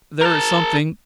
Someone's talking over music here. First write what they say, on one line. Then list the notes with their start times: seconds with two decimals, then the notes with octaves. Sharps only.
There is something....
0.21 A#4 A5